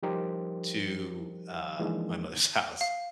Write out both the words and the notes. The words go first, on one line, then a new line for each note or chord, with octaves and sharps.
to, uh, my mother's house?"
F3 G3 D#4 G4 A#4 C5
E3 F3 G#3 A#3 D4 D#4
F5